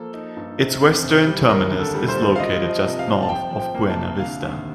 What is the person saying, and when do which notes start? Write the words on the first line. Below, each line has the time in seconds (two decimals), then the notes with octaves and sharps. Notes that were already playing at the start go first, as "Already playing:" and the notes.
Its western terminus is located just north of Buena Vista.
Already playing: F3 A#3 A4
0.13 D#4
0.36 G2
0.58 C3
0.81 C4
1.03 C2
1.26 G3
1.49 D#2 A#4
1.71 D3
1.79 A4
1.94 G3
2.08 C5
2.16 G3
2.36 F5
2.38 F4 D#5
2.62 F3
2.69 D#5
2.84 C3
2.99 F5
3.06 C3
3.22 A5
3.29 F3 G5
3.51 F3
3.59 G5
3.74 A#3
3.90 A5
3.97 C2
4.20 D3 F5
4.43 D#2